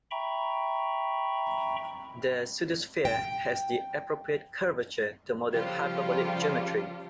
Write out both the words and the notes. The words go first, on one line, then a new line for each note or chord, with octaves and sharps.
The pseudosphere has the appropriate curvature to model hyperbolic geometry.
E5 G5 A#5 B5 C#6
G5
C#3 F3 G3 F4 G4 A4